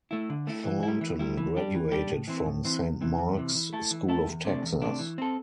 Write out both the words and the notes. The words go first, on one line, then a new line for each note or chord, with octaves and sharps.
Thornton graduated from Saint Mark's School of Texas.
A3 E4
D3
A3 E4
E3
G3 E4
E3
G3 E4
E3
G3 D4 G4
E3
G3 D4 G4
A2
E3 C4
A2
E3 C4
E2
C3 E3
E2
C3 E3
E3
A3 E4 A4
E3
A3 E4 A4
E2
C3 A3 D4
E2
C3 A3 D4
E3
C4 A4